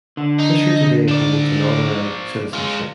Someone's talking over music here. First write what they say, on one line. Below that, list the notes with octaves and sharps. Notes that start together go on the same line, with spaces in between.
Fischer today holds an honorary citizenship.
D3
D#4
F3 D5
G#3 F4